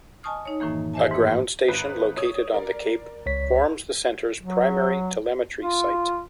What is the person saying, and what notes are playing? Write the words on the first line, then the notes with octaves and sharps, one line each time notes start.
A ground station located on the cape forms the centre's primary telemetry site.
D#5 G#5 A5 C#6 D#6 F6
D#4 C#5
F#2 A2 D#3 E3 A#3
G4 C5 D#5 E5 G#5 A5
G#2 E3 A3 A#3
G#1 B4
C#5 D#6 G#6
A#4 D5
C#2 C#5 B6
F#3
F4